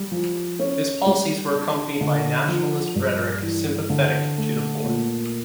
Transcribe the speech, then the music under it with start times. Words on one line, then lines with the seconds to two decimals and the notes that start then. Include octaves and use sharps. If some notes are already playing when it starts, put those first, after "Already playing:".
His policies were accompanied by a nationalist rhetoric sympathetic to the poor.
Already playing: G3
0.12 F3
0.59 C#4
1.06 G3
1.54 D4
2.01 D3
2.48 F3
2.95 G2
3.42 E3
3.90 D3
4.37 A3
4.84 A#2